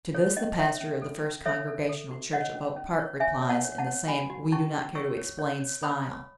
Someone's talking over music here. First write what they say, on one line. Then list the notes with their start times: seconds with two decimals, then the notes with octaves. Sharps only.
To this the pastor of the First Congregational Church of Oak Park replies in the same we-do-not-care- to-explain style.
0.14 A4 C#5
0.37 C#4 D#5
0.58 C#4 C#5 E5
0.81 C#4
1.02 A4
1.25 C#4
1.45 A4 C#5 E5
1.68 A4
1.89 A4
2.11 F#4
2.33 C#5 D#5 F#5
2.55 C#4
2.76 C#4
2.99 C#5
3.20 C#5 E5 G#5
3.42 C#5
3.49 F#5 A5
3.65 C#5
3.78 F#5 A5
3.87 C#5
4.07 F#4 G#5 B5
4.30 F#4
4.52 C#4 A5 C#6
4.74 C#4
4.95 C#5 C#6 E6
5.18 C#5
5.39 C#5
5.60 C#5
5.83 C#5 B5 D#6
6.05 C#5